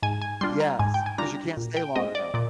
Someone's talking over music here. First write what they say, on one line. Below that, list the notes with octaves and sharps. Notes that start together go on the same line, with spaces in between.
Yes, 'cause you can't stay long enough.
G#2 G#5
G#5
G3 D4 F4 C6
A#5
G#2 G#5
G5
G#5
G3 D4 F4 A#5
A#2
G5
G#3 C4 D#5
D5
A#2 D5